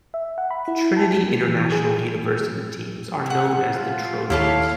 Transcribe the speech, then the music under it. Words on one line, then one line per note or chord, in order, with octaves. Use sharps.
Trinity International University teams are known as the Trojans.
E5
F#5
B5
E4
A5
A#3
E3
G#4
B2 F#5
F4
D#2 E4 G4 A4 C#5 F5